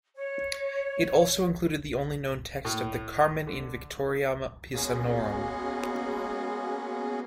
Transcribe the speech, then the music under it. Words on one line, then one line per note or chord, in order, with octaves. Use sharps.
It also included the only known text of the "Carmen in victoriam Pisanorum".
C#5
A2
D3
G#3 A#3 B3 C#4 F#4 G#4